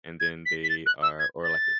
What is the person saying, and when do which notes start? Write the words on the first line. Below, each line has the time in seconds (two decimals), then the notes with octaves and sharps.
and then they are or like a
0.20 G#6
0.46 B6
0.64 B6
0.70 A6
0.86 F#6
1.02 E6
1.19 G#6
1.44 A6